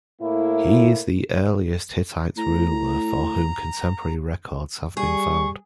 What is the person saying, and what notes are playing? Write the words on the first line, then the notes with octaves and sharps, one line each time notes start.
He is the earliest Hittite ruler for whom contemporary records have been found.
A2 A#3 E4
A2 A#5
G3 G#4 C#6